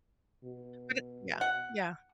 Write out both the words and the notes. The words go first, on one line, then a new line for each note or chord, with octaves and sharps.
but it Yeah, yeah.
B2
F#5